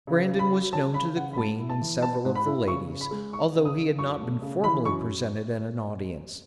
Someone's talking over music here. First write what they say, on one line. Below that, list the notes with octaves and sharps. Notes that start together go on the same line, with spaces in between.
Brandon was known to the queen and several of the ladies, although he had not been formally presented at an audience.
C#3
C#3
B5
F#3
C#4 A5
C#3 B5
C#3 F#5
B5
G#2 A5
E4
A5
E3
B3 A5
G#2
B5
E4
C#3 C#6
C#3
B5
G#3
D#4 C#6
C#3
D#6
C#3
F#2 C#6
A3
C#3
E3 B5
F#2 C#6